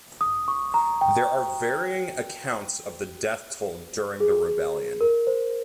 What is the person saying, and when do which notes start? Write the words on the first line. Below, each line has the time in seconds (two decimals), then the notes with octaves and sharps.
There are varying accounts of the death toll during the rebellion.
0.21 D#6
0.48 C#6
0.74 A#5
1.01 G5
4.20 G#4
5.01 A#4
5.27 C5